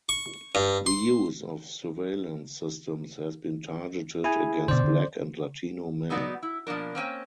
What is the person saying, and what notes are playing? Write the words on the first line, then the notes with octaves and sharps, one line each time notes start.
The use of surveillance systems has been targeted against black and Latino men.
C#6
G2
C6
E4 G#4 G#5
B2 D3 C5 D5
D3
F#3 B3 D#4 F#4 C5 D5
E4
B2 F3 A#3 D4 A#4
A#3 C4 C#4 G5